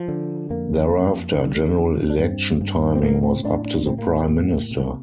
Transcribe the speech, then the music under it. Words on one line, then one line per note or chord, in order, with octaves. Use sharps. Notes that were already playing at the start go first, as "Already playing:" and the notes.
Thereafter, general election timing was up to the Prime Minister.
Already playing: F3
D3
F2 A#3
F2
D3
D3
D4
G2 C4
G2
C4
A2 A#3
C4
A2 D4
D4
A2 C4
A#3
A3
A#3
A2
C3